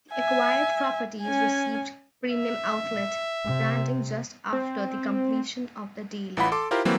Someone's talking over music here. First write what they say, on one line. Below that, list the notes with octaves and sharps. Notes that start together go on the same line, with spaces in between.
The acquired properties received Premium Outlet branding just after the completion of the deal.
E5 G#5
C#4 G#5
E5
C3
C4
A1 E3 F4 F#5 B5
A4 C6 D6
E4 F4 G4 A#4 C5
E3 F#3 G3 A#3 C4